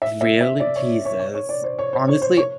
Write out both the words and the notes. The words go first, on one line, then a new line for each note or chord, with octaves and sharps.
Really? Jesus. Honestly
E5
E5
E5
D5
C#5
C#5
C#5
C#5
D5
C5
C#5
C5
C#5
C5
C#5